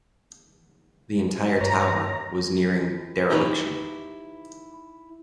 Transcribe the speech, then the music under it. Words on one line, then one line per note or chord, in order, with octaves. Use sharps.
The entire tower was nearing dereliction.
G2 C#5 A#5
D#4 E4 G4 A4 B4 C#5